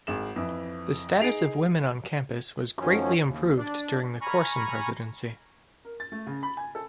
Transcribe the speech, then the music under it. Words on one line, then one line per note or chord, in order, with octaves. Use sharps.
The status of women on campus was greatly improved during the Corson presidency.
G#1 G#4 E7
F2 E3
D#4 G#4 C7 D7 F7
F#2 D#3 F3 F#3 C#4
D#2
D4 D5
G#5 A#5 B5 C#6 F6
A#4
A6
A3
C#3
B5
G#5
A4